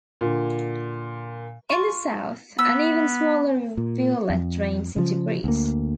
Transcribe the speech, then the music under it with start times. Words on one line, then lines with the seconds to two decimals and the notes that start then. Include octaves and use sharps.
In the south, an even smaller rivulet drains into Greece.
0.21 A#2 D3
1.69 F4 C#6
2.59 B3 E6
3.77 A#2
4.30 F2
4.96 C#3 F3
5.44 D2 A#3